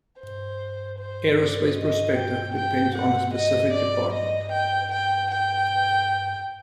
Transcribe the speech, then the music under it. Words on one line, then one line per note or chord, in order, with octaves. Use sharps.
Aerospace prospective depends on a specific department.
C5
C5
D5
D#5
G5
G5
F#5
D#5
D5
D#5
G5
G5
G5